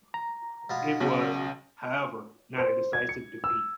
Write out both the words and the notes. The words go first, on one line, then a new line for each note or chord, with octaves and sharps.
It was, however, not a decisive defeat.
A#5
B2 B3 F4
B1 C#3 F#4
C5
G#6
C#7
E6